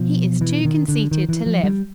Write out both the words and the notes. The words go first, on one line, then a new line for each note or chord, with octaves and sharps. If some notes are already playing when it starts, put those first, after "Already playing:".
"He is too conceited to live."
Already playing: B2 F3
E3
D#3
D3
D#3
E3
F3
G3